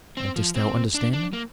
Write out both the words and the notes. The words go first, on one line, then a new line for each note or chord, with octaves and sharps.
"And dost thou understand them?"
C4
F3
C4
D4
D4
A#3